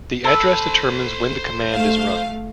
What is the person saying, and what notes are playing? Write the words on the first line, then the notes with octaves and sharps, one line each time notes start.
The address determines when the command is run.
A4 C5 B5
A3 F5